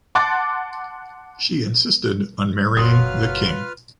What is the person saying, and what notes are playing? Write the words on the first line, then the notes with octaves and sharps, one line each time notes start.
She insisted on marrying the king.
F#5 A5 C6 D6 F#6 A6
F#1 F#3 F4 B4 C6 D#6 F6